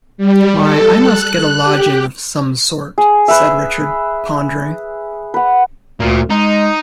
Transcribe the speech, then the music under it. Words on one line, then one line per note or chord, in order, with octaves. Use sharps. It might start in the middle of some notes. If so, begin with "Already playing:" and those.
"Why, I must get a lodging of some sort," said Richard, pondering.
G3
A4
F#6
G4
G#4
B4 E5
B4 F#5
D2 A#2
G#3 D#4